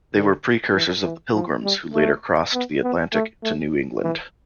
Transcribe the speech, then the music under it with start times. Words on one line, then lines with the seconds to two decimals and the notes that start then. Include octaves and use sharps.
They were precursors of the Pilgrims who later crossed the Atlantic to New England.
0.14 D3
0.74 E3
1.03 E3
1.34 F3
1.63 G3
1.94 A3
2.54 B3
2.83 B3
3.13 A3
3.43 A3
4.03 E3